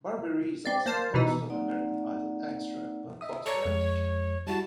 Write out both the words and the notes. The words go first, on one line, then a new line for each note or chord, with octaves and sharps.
Barberie is also the host of "American Idol Extra" on Fox Reality Channel.
C4 D5
A#3 C5 F5 A5
B2 E3 D#4
A#3 C4 D#4 D5 F#5
D#5 E5 D#6
A4 C#5 D5 A#5
F2 G#3
G3 E4 F#4 A5